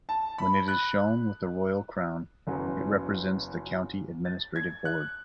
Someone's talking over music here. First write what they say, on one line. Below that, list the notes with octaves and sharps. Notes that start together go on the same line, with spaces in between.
When it is shown with a royal crown, it represents the county administrative board.
A5
B5
F#6
F#1 E2 C#3 F#3 B3
A6
G#6
F#6